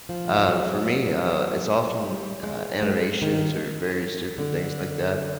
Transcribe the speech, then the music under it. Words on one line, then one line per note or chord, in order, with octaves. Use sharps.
uh, for me, uh, it's often, uh, animations or various different things like that,
F3
F3
F#3
G3
G#3
G#3
D#3
D3